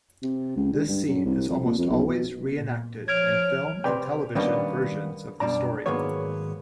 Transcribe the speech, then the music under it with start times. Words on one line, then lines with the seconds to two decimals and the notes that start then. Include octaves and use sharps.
This scene is almost always re-enacted in film and television versions of the story.
0.23 C3
0.56 C#2
0.73 D3
0.88 G2
1.08 F#2
1.25 C2
1.49 F2
1.65 A#2
1.79 F2
1.90 B1
2.09 B2
2.56 A#2
3.08 F3 C#5 F6 G#6 D7
3.84 C3 G3 C4 B4 D5 G5
4.35 D#3 G3 A#3 B3 C#4 D4
5.40 F#2 B2 G3 D4 A#5
5.86 G#2 D#3 F#3 A#3 B3 C#5